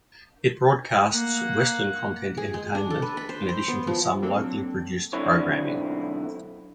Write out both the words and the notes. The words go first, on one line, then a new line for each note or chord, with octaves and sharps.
It broadcasts Western content entertainment in addition to some locally produced programming.
A#3 F#5
G#4
G#3
D4
A4
B4
B5
C5
C5
B3
F3
F#3 A#3 C4 D4 A4
B1 D3 C4 E4 C#5